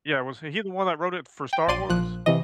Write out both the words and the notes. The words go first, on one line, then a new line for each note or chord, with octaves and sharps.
Yeah, was h he the one that wrote it for Star Wars?
G5
A#1 D5 C6 D#7
A#1 F3 F#6
C3 E3 D#5